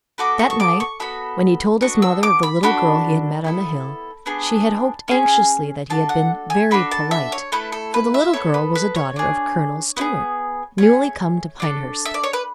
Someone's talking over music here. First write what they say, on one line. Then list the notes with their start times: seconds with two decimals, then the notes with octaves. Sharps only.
That night, when he told his mother of the little girl he had met on the hill, she had hoped anxiously that he had been "very polite," for the little girl was a daughter of Colonel Stuart, newly come to Pinehurst.
0.18 B3 F#4 A4 D6
0.39 C#6
0.50 C#6
0.60 D6
0.80 C#6
1.00 B3 F#4 A4 B5
1.81 B3 D4 F#4 A4 C#6
2.02 E6
2.23 D6
2.43 B5
2.63 D4 F#4 A4 B5
3.44 B3 E4 A4
4.26 B3 D4 G#4
5.08 C#4 G#4
5.90 D4 F#4 A4 A5
6.09 F#5
6.50 G#5
6.71 D4 F#4 A4 B5
6.91 A5
7.11 E5
7.32 C#5
7.52 A3 E4 A4 B4
7.72 A4
7.94 B4
8.14 E5
8.33 B3 F#4 A4 C#5
8.54 B4
8.75 B4
8.96 C#5
9.16 D4 G#4
9.97 B3 E4 G#4
10.78 A3 C#4 G#4 C#5
11.60 D4 F#4 A4
12.05 E5
12.14 D5
12.23 C#5
12.33 B4